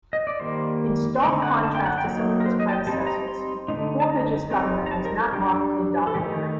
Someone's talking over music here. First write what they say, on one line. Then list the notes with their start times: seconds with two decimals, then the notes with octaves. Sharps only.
In stark contrast to some of his predecessors, Borbidge's government was not markedly domineering.
0.13 D#5
0.27 D5
0.40 D#3 G3 A#3 C5
1.22 D3 A3 C4 D#4 D5
1.42 F#5
1.63 A5
1.75 G5
1.86 F#5
1.98 G5
2.05 F#3 A#3 D#4
2.40 A#4
2.46 C5
2.60 D#5
2.68 A5
2.73 G5
2.87 G3 C4 D#4 A5
3.07 A#5
3.28 C6
3.68 D3 A3 C4 D#4
4.00 A5
4.09 A#5
4.51 G3 C4 D#4 A#5
4.86 A#5
4.91 A5
5.05 A#4
5.19 A4
5.33 G3 D4 G4
6.07 A4
6.14 D#3 A3 D#4 G4